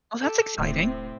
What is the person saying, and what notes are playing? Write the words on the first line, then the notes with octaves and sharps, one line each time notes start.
Oh, that's exciting.
G4 A4
D1 A2 C3 C4